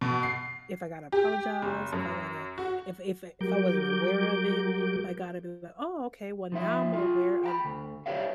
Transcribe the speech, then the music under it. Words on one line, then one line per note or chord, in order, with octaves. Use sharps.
if I gotta apologize, if I gotta if if if I wasn't aware of it, I gotta be like, "Oh, okay, well now I'm aware of
B2
C7
G4
F#1
F#2
F#4
F#3 G3 A#4 D6 G6
F3 D#4 E5
F4 G#4
G5 A#5 B5
D2
G4 B4 C#5 D5 E5 F5